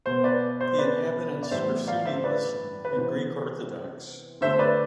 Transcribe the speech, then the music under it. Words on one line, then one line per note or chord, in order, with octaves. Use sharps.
The inhabitants were Sunni Muslim and Greek Orthodox.
B2 B3 C5
B4 D5
C5
B4 D5
D5
A2 E3 G3 B3 C5 E5
D5 F5
C5 E5
B4 D5
B4
C3 E3 B3 C5
D3 A3 C4 C5 E5
B4 D5